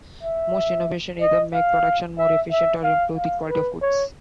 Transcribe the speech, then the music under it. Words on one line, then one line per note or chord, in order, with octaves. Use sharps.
Most innovations either make production more efficient, or improve the quality of goods.
E5
D#5
F5
E5
E5
F5
F5
B4
C#5